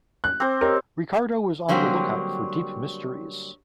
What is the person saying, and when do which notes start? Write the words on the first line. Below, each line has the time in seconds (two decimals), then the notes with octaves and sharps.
Ricardo was on the look-out for deep mysteries.
0.24 F#6
0.40 C4 C5 D6
0.61 G4 A#4 C#5 D#5
1.69 D3 F#3 G3 A#3 C4 C#4